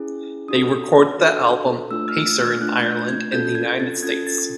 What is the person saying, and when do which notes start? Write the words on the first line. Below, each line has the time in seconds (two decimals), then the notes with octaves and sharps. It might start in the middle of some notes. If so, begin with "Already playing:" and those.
They recorded the album "Pacer" in Ireland and the United States.
Already playing: C#4 E4 G#4
0.48 D4 F#4 A4 D#6
1.20 D4 F#4 A4
1.91 A3 D4 F4 E6
2.09 F6
2.14 E6
2.38 F6
2.61 A3 D4 F4 F#6
2.85 G6
3.08 G#6
3.32 C#4 F4 A4 G6
3.55 G#6
3.80 A6
4.03 C#4 F4 A4 G#6
4.27 A6